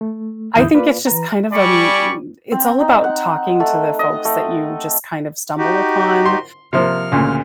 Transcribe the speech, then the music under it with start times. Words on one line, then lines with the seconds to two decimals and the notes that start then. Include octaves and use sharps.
I think it's just kind of a m m It's all about talking to the folks that you just kind of stumble upon
0.01 A3
0.56 E2 A2 D3 E4 D#6 G6
0.74 A#3 F4 B4 D5 F5
1.07 E3 B4 A#5
1.52 G3 D5 G#5 B5 C#6
2.52 C4
2.81 D#4
3.04 F#5
3.60 A3
3.99 D#5
4.25 A3
5.58 D#4 F#4 G4
6.26 C6
6.73 C3 F3 A#3 F6
7.12 D2 A#2 C#3